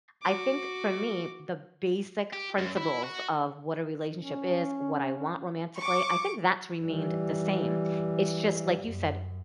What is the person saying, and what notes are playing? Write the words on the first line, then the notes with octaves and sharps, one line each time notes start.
I think for me, the basic principles of what a relationship is, what I want romantically, I think that's remained the same. It's just, like you said,
F#4 D6
G4
F#2
E4
F#4
C#4
C#6 D6
E3 G3
F#2